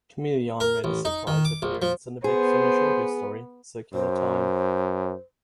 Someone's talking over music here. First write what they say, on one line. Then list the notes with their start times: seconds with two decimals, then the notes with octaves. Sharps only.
Kamelion made a surprise appearance in the Big Finish audio story "Circular Time".
0.60 A#4
0.84 A1
1.05 D#4
1.27 D#3
1.45 D6
1.62 A#1
1.82 F3
2.24 B3 G#4 C5
3.94 F#2 C5